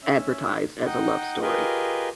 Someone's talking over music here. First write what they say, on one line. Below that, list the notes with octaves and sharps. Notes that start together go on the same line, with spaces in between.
advertised as a love story,
C#4 E5
D#4 D#5 F#5 G5
F4 G4 G#4 A#4 B4 D#5